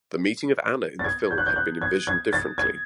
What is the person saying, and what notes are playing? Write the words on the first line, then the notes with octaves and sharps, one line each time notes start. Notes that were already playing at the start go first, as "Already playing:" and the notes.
The meeting of Anna in the film had been envisioned differently.
A6
G#6
G6
F#6
G6
F#6
G#6
G#6
A6
G#6